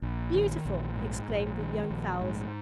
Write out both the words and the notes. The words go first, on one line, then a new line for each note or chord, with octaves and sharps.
"Beautiful!" exclaimed the young fowls.
A#1
D#3
A#1
G#2
A#1
D#3
A#1
G#2